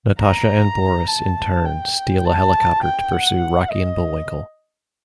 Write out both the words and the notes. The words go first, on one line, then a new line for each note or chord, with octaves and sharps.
Natasha and Boris in turn steal a helicopter to pursue Rocky and Bullwinkle.
A#5
A5
G5
A5
G5
F#5
D#5